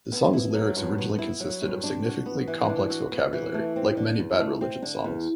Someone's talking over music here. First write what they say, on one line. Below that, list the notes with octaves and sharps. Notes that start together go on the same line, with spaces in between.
The song's lyrics originally consisted of significantly complex vocabulary, like many Bad Religion songs.
B3
E4
F#3
G2
B3
E4
F#3
G2
D4
F#4
B3
E3
D4
F#4
B3
E3
A3
C4
D3
E2
A3
C4
D3
E2